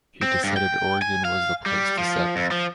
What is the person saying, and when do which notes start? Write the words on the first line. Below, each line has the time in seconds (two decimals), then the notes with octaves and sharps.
He decided Oregon was the place to settle.
0.23 C4
0.44 G2
0.57 G5
1.02 G#5
1.25 F5
1.66 G3
1.98 F3
2.36 F2
2.52 F3